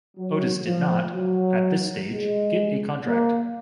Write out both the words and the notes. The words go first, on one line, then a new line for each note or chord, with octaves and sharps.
Otis did not, at this stage, get a contract.
F#3
F3
F#3
G#3
A#3